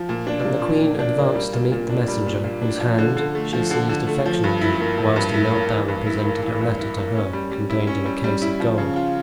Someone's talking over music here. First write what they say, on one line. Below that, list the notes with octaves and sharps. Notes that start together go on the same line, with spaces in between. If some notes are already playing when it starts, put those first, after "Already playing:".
And the queen advanced to meet the messenger, whose hand she seized affectionately, whilst he knelt down and presented a letter to her, contained in a case of gold.
Already playing: F3
A#2
D4
A#3
F3
A#2
D4
A#3
G3
A#2
A#2
D4
G3
A#2
A#2
D4
F3
D3
D3
A3
F3
D3
D3
A3
F3
G2
E4
A#3
F3
G2
E4
A#3
E3
G2
E4
A#3
E3
G2
E4
A#3
C#4
G3
G3
E4
C#4
G3
G3
E4
F3
C#3
F4